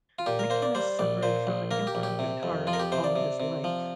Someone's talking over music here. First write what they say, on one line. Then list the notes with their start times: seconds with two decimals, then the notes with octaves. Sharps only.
McInnes suffered from an imperfect heart all his life.
0.19 F4
0.26 A#2 G4
0.39 A#4
0.50 A#3 C5
0.62 D5
0.75 G3 C5
0.99 A#1 D5
1.23 A#2 C5
1.47 A#1
1.71 A#3 A#4
1.87 G4
1.95 A#1
2.03 G4
2.19 C3
2.43 F2
2.67 F3 F4
2.73 A#4
2.79 G4
2.92 C3 C5
3.04 D5
3.16 C3
3.40 C3
3.64 F3